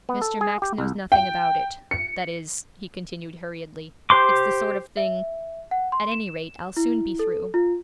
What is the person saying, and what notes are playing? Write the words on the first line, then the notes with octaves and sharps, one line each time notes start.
'Mr. Max knows nothing about it--that is,' he continued hurriedly, 'it's the sort of thing-- At any rate, I'll soon be through.'
B3
A4
G#4
G4
C2
G5
C#7
G4 C5 C6 D6
E5
F#5
C6
E7
E4
A4
F4